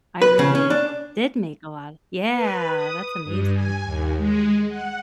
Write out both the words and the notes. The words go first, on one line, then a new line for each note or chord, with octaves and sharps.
I really did make a lot, yeah, that's amazing.
B4
C#3
C#4
D4
B4
D#6
G2
G#5
D#2
G#3
F#5